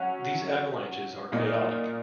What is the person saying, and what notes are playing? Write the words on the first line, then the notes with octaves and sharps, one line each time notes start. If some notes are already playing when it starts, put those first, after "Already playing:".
These avalanches are chaotic.
Already playing: F#3 C#4 F#4
A#2 A#3 D#4